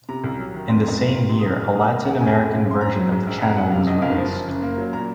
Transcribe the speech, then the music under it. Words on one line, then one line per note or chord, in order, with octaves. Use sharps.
In the same year a Latin American version of the channel was released.
C3 A#5
C2
F#3
D#3
F2 C6
F#1
A#3
D#3
C3 C6
D#6
C#2 F6
D#2 F6
A#3 D#6
D#3 A#5
D#2 F#5
F2 G#5
G#3
C#3
F2 C6
C4 A#5
F#3
G#2
A#1
F2 A#5
F#3 F#5
C3 F5
F2 D#5
F#1 F5
F3
F#2
F#1
A#3
F#3
A#2 A#5